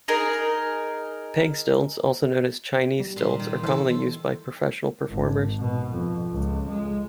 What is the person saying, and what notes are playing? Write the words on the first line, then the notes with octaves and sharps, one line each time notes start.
Peg stilts, also known as Chinese stilts, are commonly used by professional performers.
D#4 G#4 A#4
G3
A#2 C6
D#3
E3 A4 C5
G#1
B2
F2
C#2
G#3